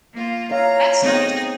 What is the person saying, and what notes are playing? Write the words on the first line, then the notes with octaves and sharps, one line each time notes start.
That's nice.
A#3 F4
C#5 E5 F5 A#5
A3 B3 C4 D#4 G#4 A#6